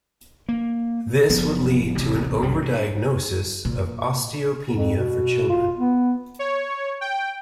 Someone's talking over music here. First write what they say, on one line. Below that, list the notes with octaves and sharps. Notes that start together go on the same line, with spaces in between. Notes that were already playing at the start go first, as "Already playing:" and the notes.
This would lead to an over-diagnosis of osteopenia for children.
A#3
F#1 F3 B3
D1 A1 C3
B1 F#2 F#3 G3
G2
A#2
F2
B2
F4
B3
C#5
G5